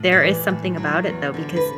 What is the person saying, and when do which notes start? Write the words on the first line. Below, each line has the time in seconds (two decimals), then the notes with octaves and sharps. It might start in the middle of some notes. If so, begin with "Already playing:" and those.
there is something about it, though, because
Already playing: A2
0.12 D5
0.21 E3
0.50 A2
0.77 F#3
1.06 E2
1.34 D3
1.56 B4